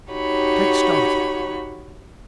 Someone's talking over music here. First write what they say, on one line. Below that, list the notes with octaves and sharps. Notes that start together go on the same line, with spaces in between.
Take Startop.
D#4 F#4 G4 C#5 B5